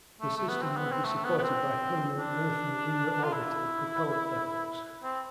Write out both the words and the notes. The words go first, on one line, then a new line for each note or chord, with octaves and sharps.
The system would be supported by permanent Earth and lunar orbital propellant depots.
A3
A3
B3
C4
B3
C4
A3
B3
B3
C4
D4
F4
E4
C4